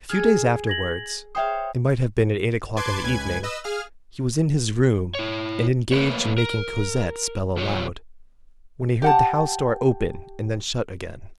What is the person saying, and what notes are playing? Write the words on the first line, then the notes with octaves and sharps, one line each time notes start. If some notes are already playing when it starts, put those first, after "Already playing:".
A few days afterwards,--it might have been at eight o'clock in the evening,--he was in his room, and engaged in making Cosette spell aloud, when he heard the house door open and then shut again.
G#4 A4 F6 G#6
G#6 A#6 F#7
C5 C#5 E5 F5 G5 D#6
B4 A5 C6 D6 G#6
C#2 B4 G#5 G#6
B4 D#5 E6
G#4 F5 F6
E4 C#5
A3 A#3 A#4 B4 C#5
A#4
E2 B2 F#3 F4 G4 C#5
G4 F#5 A5